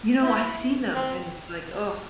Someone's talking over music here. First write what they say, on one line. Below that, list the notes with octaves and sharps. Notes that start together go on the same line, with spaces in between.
You know, I've seen them and it's, like, oh.
E4
C4